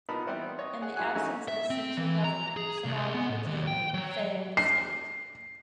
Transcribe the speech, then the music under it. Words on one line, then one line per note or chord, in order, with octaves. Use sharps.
In the absence of a central government, Somalia became a "failed state".
A#2 B3 D#4 A#4 A5 B5
E3 G3 B3 C4 E4
C#5 D#5
G#4 F#5
F#2 E4 F#4 G#4 G#5 F#6
E3 F#3 A3 C#4 D#4
E5
C4
E3
A#5
G#4
C2
B3
A2
D#2
G5
F#3
C7